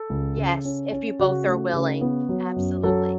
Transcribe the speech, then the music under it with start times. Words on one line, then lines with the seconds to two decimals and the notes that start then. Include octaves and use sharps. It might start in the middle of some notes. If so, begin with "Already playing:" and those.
Yes, if you both are willing, absolutely.
Already playing: A4
0.10 C#2
0.37 C#3
0.65 C#4
0.92 C#4
1.19 C#3 F#4
1.47 A3
1.73 C#3
2.01 B3
2.29 F#3
2.56 F#2
2.83 F#3 A4